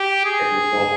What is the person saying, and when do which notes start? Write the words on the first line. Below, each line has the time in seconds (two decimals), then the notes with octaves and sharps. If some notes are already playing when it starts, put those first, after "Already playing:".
that'd be cool.
Already playing: G4
0.25 G#4